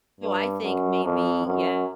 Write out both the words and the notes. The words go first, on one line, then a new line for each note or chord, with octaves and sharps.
So I think maybe Yeah,
G2
F#2
F2
F#2